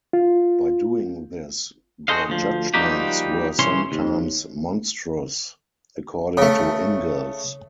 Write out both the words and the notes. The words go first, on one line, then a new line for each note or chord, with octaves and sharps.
By doing this their judgements were sometimes "monstrous" according to Ingalls.
F4
F#4 G#4 A4 C5 D#5 F5
D2 F3
F3 G3 A#3 D#4 F#4 G4
C2 C#3 E3 C#4 C#5 C6
D#2
C#3 A3